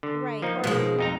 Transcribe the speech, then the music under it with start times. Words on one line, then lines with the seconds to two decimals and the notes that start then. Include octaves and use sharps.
Right, or
0.03 D3
0.42 F3 A#3 D#4
0.64 B2 D#3 F3 G#3 B3
0.99 F2 D#4 A#5